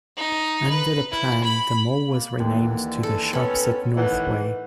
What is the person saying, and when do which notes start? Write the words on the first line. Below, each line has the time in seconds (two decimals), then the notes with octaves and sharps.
Under the plan, the mall was renamed to The Shoppes at Northway.
0.17 D#4
0.69 B4
1.11 E4
1.44 B5
2.07 A#3
2.40 D#2 D3 E3
3.03 A4
3.33 B3 C#4 A4 C#5
3.96 A2 D#3 E3 F#5